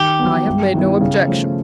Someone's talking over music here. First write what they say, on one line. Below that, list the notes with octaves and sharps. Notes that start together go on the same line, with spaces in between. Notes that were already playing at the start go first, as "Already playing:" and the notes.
"I have made no objection."
Already playing: D#3 G4
F#3 B3
G2
D#3 G3 B3 E4
C#3
F3 A3 C#4